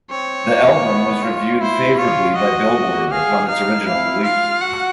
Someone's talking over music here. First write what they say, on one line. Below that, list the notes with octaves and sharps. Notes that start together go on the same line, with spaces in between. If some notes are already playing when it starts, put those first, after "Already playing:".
The album was reviewed favorably by "Billboard" upon its original release.
C4 C#5
A#3
B3
F4
E4 C5
F4 C#5
F#4 D#5
G#4 F5
D#4 F5
E4 F5
F4 F5
F#4 F#5